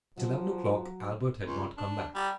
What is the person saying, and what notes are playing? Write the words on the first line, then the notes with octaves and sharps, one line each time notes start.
At eleven o'clock Albert had not come back.
F3 F#3
C#2
D4
G3